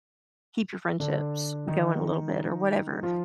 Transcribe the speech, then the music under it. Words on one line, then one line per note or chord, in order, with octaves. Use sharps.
keep your friendships going a little bit or whatever.
D3 D4
D#3 D#4
F3 F4